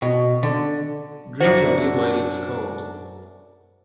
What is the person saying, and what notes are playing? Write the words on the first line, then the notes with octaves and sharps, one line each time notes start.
Drink your beer while it's cold.
B2
D3
F#2 D4 F#4 C5